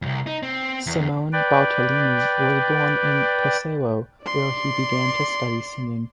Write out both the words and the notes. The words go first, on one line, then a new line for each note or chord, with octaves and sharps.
Simone Bartolini was born in Pesaro, where he began to study singing.
C2 F2
D#4
C4
E2
B4 D5 G5
D5 C6